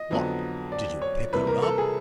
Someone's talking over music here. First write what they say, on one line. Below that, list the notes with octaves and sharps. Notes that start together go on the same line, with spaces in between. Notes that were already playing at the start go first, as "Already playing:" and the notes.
"What! did you pick her up?"
Already playing: D#5
F2 D3 F#3 B3
D5
C#5
C3 E3 G3 A#3 B4
A#4
A4
G#4